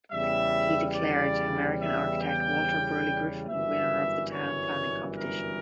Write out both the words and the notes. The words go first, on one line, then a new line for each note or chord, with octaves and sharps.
He declared American architect Walter Burley Griffin winner of the town planning competition.
E2 C#3 G3 E5
D5
E5
G5
G1 F#2 E3 G3 E5
C#5
A#4